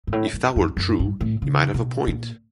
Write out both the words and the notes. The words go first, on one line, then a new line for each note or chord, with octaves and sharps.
If that were true, he might have a point.
G#2
A2
F#2
F2
F#2
G2
A2
C#3
B2
A#2